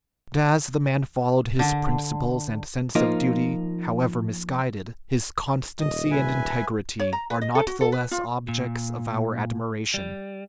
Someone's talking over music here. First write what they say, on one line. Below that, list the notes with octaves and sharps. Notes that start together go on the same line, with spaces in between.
But as the man followed his principles and sense of duty, however misguided, his constancy and integrity are not the less objects of our admiration.
D3
F3 A#3 D#4 F4
D#1 D#5
B4 E5 G#5
C#5
A#5
B4
D#5
A4
F#4
A4
B4
F4
A#2
G3